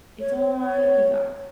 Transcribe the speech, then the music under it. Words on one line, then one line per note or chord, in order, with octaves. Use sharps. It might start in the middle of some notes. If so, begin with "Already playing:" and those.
It's on Peacock,
C#5
C#5